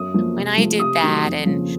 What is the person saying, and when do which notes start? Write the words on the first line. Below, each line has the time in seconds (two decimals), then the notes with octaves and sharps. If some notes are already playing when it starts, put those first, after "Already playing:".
when I did that," and
Already playing: F#2 D#6
0.14 F3 A#3
0.36 C3
0.57 F3 A3
0.79 C3 D#6
1.02 D#3 F#3 A3 D#4
1.24 F2
1.46 C#3 F3 A#3 C#4